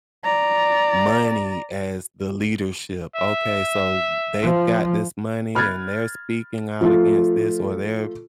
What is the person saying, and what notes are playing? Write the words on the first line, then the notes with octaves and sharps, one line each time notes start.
money as the leadership. Okay, so they've got this money and they're speaking out against this, or they're
D5 A#5
E5
F3
B5 F6 F#6 G#6 A6
F3 A3 F4